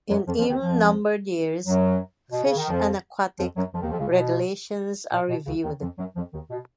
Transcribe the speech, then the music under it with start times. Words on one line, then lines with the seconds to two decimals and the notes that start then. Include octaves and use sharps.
In even-numbered years, fish and aquatic regulations are reviewed.
0.10 F#2 F#3
0.27 F2 F3
0.39 F2 F3
0.50 D#2 D#3
0.62 F2 F3
1.65 F#2 F#3
2.31 B2
2.44 C#3
2.57 D#3
2.69 F2 F3
3.39 F2 F3
3.56 F#2 F#3
3.73 F2 F3
3.81 D#2 D#3
3.90 F2 F3
3.99 C#2 C#3
4.08 B2
5.12 A#2
5.29 B2
5.46 C#2 C#3
5.64 D#2 D#3
5.81 F2 F3
5.98 F#2 F#3
6.16 F2 F3
6.33 D#2 D#3
6.50 B2